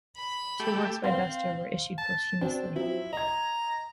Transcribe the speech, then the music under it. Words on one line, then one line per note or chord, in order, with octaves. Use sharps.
Two works by Bester were issued posthumously.
B5
A3 G4
C4 C5 F5
A5
C4 D4 F#4
F3 F#3 C4 E4
D#5 A#5 G#6